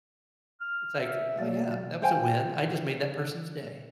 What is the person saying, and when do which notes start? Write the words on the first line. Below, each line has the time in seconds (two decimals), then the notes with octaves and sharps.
It's like, "Oh yeah, that was a win, I just made that person's day."
0.61 F6
0.99 E5
1.39 B2 F#3 A#3 D5
2.02 C5 F5 G5 G#5